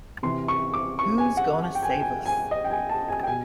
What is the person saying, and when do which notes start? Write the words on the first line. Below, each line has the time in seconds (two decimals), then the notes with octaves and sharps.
Who's Gonna Save Us?
0.23 C3 E3 C6
0.48 C#6
0.74 D6
0.99 C#6
1.18 G#5
1.37 F#5
1.75 G5
1.83 G#5
1.90 G5
2.00 G#5
2.26 G#5
2.51 D#5
2.64 G5
2.70 G#5
2.89 A5
3.08 G#5
3.23 G5
3.27 B2 G#5